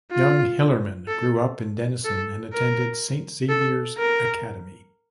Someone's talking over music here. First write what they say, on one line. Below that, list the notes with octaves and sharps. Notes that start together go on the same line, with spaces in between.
Young Hillerman grew up in Denison and attended Saint Xavier's Academy.
F4
A4
A4
A#4
A4
A#4